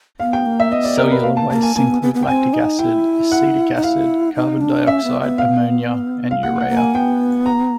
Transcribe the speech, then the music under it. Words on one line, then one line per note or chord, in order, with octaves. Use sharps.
Cellular wastes include lactic acid, acetic acid, carbon dioxide, ammonia, and urea.
B3 F5
G5
A#3
E5
B3 D#5
D5
A#4
B4
A#3 F5
A5
A#3 A5
G#5
A#3 G#5
B3
B3
B3
G5
C4 G#5
D#4
E4 G5
F#5
D#4
E4 F5
D#4
D4
C#4 E5
B3
B3
F5
F5
A#3 F#5
F#5
A#3
G#5
B3 G5
A#5